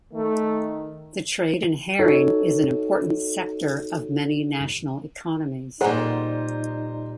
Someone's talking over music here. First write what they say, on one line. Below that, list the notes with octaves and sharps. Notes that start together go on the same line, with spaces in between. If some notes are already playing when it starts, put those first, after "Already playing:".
The trade in herring is an important sector of many national economies.
D#3 A3
D#4 F#4 A4 C#5
A#2 G3 D#4 G#4 A#4 C5 F#5